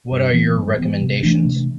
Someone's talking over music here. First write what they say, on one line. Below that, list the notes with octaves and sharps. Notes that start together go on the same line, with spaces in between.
What are your recommendations?
G2
E3 B3
G2
E3 B3
C3
E3 A3 D4
C3